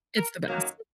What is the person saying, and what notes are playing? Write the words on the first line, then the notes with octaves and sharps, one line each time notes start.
It's the best.
A#4
F#2 D#3 F#3 A#3 A#4